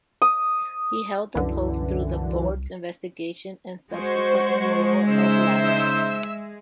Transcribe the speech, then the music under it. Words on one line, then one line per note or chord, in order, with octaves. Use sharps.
He held that post through the Board's investigation and subsequent removal of Ladner.
D#6
C2 F#2 D3 E3
G#3 F#4 C5 C#6
C#3 D#4 C5 E5 E6